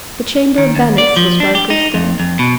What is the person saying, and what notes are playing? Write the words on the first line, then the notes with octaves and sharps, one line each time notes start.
The chamber of Venice was darker still.
D#3
D#2
D5
F3
D4
G4
D#4
F2
F2
B2